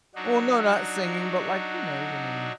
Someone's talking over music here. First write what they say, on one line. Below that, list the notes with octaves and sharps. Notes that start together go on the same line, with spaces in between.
Well, no, not singing, but, like, you know, even in
F#3 D4 D#4 F#4